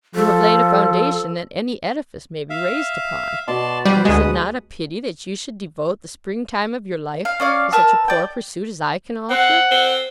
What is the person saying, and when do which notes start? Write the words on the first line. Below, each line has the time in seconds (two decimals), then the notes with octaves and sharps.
You have laid a foundation that any edifice may be raised upon; and is it not a pity that you should devote the spring-time of your life to such a poor pursuit as I can offer?'
0.15 F3 A4
2.50 E5 F5
3.48 B2 F#4 D5 E5 A5 C6
3.85 G3 B4 C5 D5 B5
4.05 D2 G#3 G#4 B4 F#5 A5 D#6
7.25 F5
7.40 C#4 D5 F5
7.72 A#4 B4 A5 E6
8.08 D5 G5
9.30 C4 F#5
9.71 C4